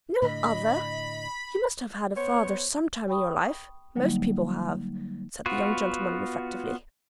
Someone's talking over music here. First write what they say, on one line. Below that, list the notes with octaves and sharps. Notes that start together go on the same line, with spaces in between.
"No other! you must have had a father some time in your life; most people have," said the young gentleman, reflectively.
A2 D3 D#5 B5
B3 C5 C#5
G5 B5 C#6 D#6
D3 F#3 G3 A#3 D#4
B3 F4 F#4